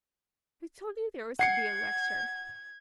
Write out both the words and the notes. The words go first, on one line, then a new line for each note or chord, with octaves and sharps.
"Who told you there was to be a lecture?"
F#5 G#6 C7 C#7